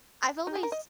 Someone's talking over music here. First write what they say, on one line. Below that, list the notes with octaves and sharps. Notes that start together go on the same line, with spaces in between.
I've always
D#4
G#4
A#4
D#5